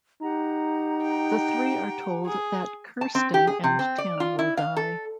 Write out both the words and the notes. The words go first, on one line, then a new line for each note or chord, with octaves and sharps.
The three are told that Kirsten and Tim will die.
D#4 G4 F#5 A#5
G5
G#4
A5
C4
G4
G#4
C3
C4
D5
F4
E4
F5
A4